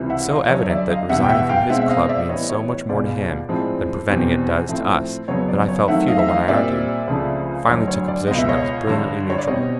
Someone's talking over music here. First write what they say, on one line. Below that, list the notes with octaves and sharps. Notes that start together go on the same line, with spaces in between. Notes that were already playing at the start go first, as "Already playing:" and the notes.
It's so evident that resigning from his club means so much more to him than preventing it does to us that I felt futile when I argued; finally took a position that was brilliantly neutral.
Already playing: C#2 C3 E3 G3 C4
E5 F#5
D#5 F5
F#2 D3 G3 C#5 D#5
D5 E5
D#5 F5
E2 B2 G3 B3 E5 F#5
G5
E5 F#5
F5 G5
B2 G#3 C4 E5 F#5
E5
D#5 F5
D5 E5
A2 E3 G3 B3 C#5 D#5
C#5
C#5
C#2 B2 G#3 D5
A2 F3 G#3 C4
E2 B2 G3 C4
A2 F3 A3 C4
F2 C#3 F#3 B3 C#5
D5
C#5
F#2 D#3 F#3 A3 C4 E5 F#5
D#5 F5
E5
D#5 F5
A#2 G3 C4 D5 E5
C#2 C#3 F3 A3 C4
D2 D3 F#3 C#5 D#5
C#5
D5
C#2 B2 G#3 B3 D#5
E5
C#5 D#5
G2 D3 G3
C#5
D5
B2 G3 C4 C#5 D#5